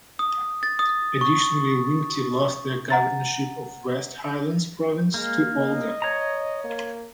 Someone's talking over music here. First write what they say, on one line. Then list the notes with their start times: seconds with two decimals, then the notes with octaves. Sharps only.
Additionally, Wingti lost the governorship of West Highlands Province to Olga.
0.19 D#6
0.63 A6
0.79 D#6
1.21 C#6
2.90 F#5 A#5 A6
5.14 G#3 A#3
5.56 D#5
6.02 C#5 A#5
6.64 A#3